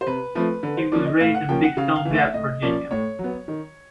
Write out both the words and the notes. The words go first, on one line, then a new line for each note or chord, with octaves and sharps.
He was raised in Big Stone Gap, Virginia.
C5
C3 B4
F3 A3 C4 B4
D3 B4
C5
F3 A#3 C#4 D5
D#5
A2 F5
F#5
F3 A#3 C#4 G5
F#5
C#3 F5
F5
E3 A3
E5
A2 D#5
F3 A#3 C#4 D5
A2 C#5
F#3
B3
D#3